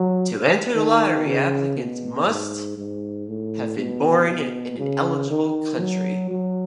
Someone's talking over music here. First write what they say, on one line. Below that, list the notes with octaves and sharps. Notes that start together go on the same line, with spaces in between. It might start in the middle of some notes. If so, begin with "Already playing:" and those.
To enter the lottery, applicants must have been born in an eligible country.
Already playing: F#3
D#3
C#3
B2
G#2
G#2
A2
B2
B2
C#3
D#3
F#3
F#3